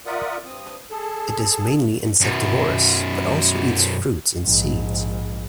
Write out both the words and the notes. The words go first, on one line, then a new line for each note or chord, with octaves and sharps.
It is mainly insectivorous, but also eats fruits and seeds.
F4 A#4 D5 E5 F#5 D#6
G2 C4 D#6
G#4 A4 A5
F#2 B2
A#1 G#2